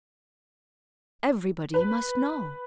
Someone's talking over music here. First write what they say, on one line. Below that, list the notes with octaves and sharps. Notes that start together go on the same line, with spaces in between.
Everybody must know.
B4